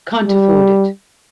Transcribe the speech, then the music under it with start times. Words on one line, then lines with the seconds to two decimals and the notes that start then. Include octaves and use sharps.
Can't afford it.
0.27 G3